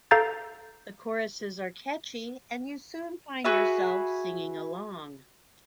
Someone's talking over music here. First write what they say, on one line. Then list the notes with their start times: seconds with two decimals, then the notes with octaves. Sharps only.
The choruses are catchy and you soon find yourself singing along.
0.11 A4 F5 A#5 G6 A6
3.44 F#4 G#4 B4 E5